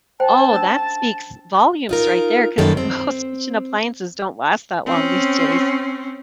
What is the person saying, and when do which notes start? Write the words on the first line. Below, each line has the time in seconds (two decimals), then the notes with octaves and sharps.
Oh, that speaks volumes right there 'cause most appliances don't last that long these days.
0.20 C5 G5 A5
0.52 C#4 D4 E6
1.89 D#4 F4 A#4
2.58 F#2 D#3 G3 A#3 A4
2.77 C4
4.86 C4 C#4